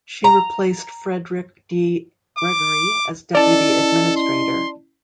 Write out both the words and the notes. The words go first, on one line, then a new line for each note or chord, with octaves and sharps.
She replaced Frederick D. Gregory as Deputy Administrator.
A#5
D6
C#4 E4 A4 D5 D#5 A5
C6